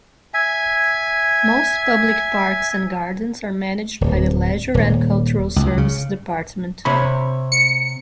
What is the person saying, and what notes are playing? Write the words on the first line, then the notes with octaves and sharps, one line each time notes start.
Most public parks and gardens are managed by the Leisure and Cultural Services Department.
E5 G#5
D1
D#1
C#2
C#3
C3 C#5 B5
C#7